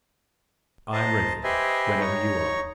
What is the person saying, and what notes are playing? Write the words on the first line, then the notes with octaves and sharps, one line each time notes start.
"I am ready, whenever you are."
C5 D#5 A5 A#5
G4 B4 C5 D#5 E5 G#5
D#4 C#5 A#5 C#6